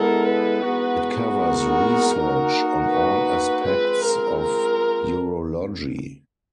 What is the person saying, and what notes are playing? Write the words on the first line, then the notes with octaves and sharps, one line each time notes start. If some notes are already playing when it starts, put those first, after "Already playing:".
It covers research on all aspects of urology.
Already playing: G#3 B3 E4 A4 A#4
B4
E3 G#3 B3 D#4 F#4
A#4
A#3 D#4 F#4
B4
F3 G#3 C4 F4 B4
A#4
A#4